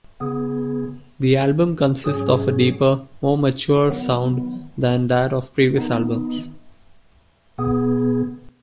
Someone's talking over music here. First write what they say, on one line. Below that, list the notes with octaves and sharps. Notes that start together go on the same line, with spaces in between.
The album consists of a deeper, more mature sound than that of previous albums.
C#3 B3 G#4
G#2 F#3 C#4 G#4
D#3 F#3 B3
D#3 B3 D#4
B2 B3 G#4